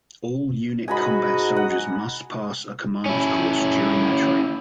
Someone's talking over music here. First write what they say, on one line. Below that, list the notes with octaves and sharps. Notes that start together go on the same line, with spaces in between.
All unit combat soldiers must pass a commander's course during their training.
G#2 F#4 D#5 G#5 A#5 B5
F#5
C#4 E4